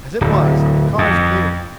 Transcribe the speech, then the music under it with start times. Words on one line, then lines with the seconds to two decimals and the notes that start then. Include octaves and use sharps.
As it was, the cars cleared it.
0.21 D1
0.98 F2